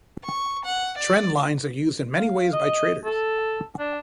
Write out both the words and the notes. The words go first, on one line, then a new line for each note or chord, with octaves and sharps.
Trend lines are used in many ways by traders.
C#6
F#5
D5
F5
D#5
A4
D4